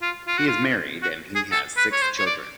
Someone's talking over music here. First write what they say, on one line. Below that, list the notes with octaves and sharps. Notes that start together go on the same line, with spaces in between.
He is married and he has six children.
F4
F4
F#4
F4
F#4
G#4
A4
B4
C#5
C5
C#5
D5